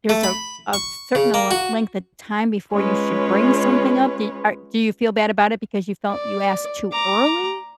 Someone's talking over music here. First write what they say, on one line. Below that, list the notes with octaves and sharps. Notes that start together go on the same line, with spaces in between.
there's a a certain le length of time before you should bring something up, do are do you feel bad about it because you felt you asked too early?
A3
B5
C#6
C#3
A#3
F#4
G#3 C#4 F4 B4 C#5
D5
A#5 D6